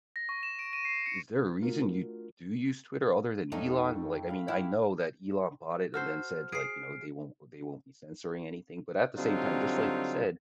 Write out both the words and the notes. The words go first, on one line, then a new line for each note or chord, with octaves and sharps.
is there a reason you do use Twitter other than Elon? Like, I mean, I know that Elon bought it and then said, like, you know, they won't they won't be censoring anything, but at the same time, just like you said,
A#6
C#6
E7
D7
D#7
C7
C#7
A3 D4 F4 F#4 A#4
F2 A3 D#4 G4 C#6
F5 B5
E4 G4 F5 F#5
F#4 A4 C5 F6
G#4 C7 D7
D3 F#3 G3 C4 D#4 F4